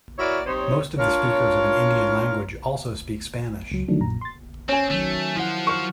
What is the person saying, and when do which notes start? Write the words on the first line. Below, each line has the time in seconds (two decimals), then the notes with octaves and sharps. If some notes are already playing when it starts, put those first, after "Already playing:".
Most of the speakers of an Indian language also speak Spanish.
0.18 E4 F#4 A#4 C#5 D5 E5
0.45 G3 C4 D#4 C5 C#5
0.98 D4 F4 A#4 C#5
3.72 C#2 F#3
3.88 D3 D#3 F3 F#3 A3 D4
4.00 A#1 F#2 A#2 A#5
4.21 C6 A6
4.69 C4 C#4 G#5
4.90 D#3 F#3 A3
5.36 F3 E4 C5 F#5
5.67 C#6 F6